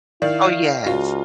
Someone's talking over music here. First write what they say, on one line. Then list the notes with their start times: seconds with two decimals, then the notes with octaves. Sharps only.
Oh, yes.
0.22 D#3 E4 D5 F5
0.86 C#2 F4 F#4